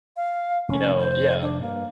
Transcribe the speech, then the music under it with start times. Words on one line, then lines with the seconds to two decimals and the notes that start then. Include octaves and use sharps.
you know yeah.
0.16 F5
0.69 F1 D#3 C#4
1.00 C5
1.42 D4
1.61 G2 A#3